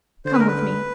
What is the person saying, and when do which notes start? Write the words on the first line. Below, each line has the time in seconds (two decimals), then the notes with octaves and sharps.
Come with me.
0.25 D3 C5
0.33 B4
0.40 A#4
0.47 B4